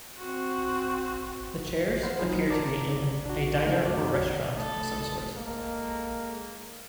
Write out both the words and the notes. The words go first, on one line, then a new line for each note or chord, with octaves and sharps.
The chairs appear to be in a diner or restaurant of some sort.
C4 F#4
C5 F5 F#5 B5 G6
F#3 D#4 F4 G#4
D5 A5 A#5
D4 F#4
C#3 E3 A3
F#2 F#4 A5 D6
A3 A4 D#6
G#3 A#3 A4